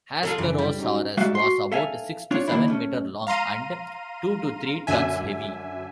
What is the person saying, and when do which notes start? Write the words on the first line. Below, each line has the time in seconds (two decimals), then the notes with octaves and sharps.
"Hesperosaurus" was about six to seven metres long and two to three tonnes heavy.
0.23 F4 G#4 A4
0.38 F#2 C#3 E3 E4
0.58 G3
0.79 C#4 D#4 F#4
1.17 G#2 G3 G#3 F#4 E5 F5
1.35 F#4 C6
1.72 A4 E5 F5 G#5
2.31 C4 D4 F4 C#5
2.48 D#3 A#3 C4 D4 E4
2.68 A3 C#4
3.27 F5 A#5 C6 D#7
4.87 F#2 D3 E5 G#5